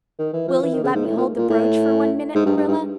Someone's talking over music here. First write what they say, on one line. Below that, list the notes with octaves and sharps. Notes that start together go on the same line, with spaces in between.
Will you let me hold the brooch for one minute, Marilla?
D#3
E3
F3
E3
D#3
C#3
G#2
A2
A#2
A#2
A2
G#2
G2
G2
G2